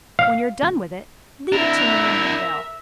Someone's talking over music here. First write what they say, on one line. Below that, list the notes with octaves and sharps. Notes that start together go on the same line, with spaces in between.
When you're done with it, leave it to me in your will.
F5
D4 E4 A#4 E5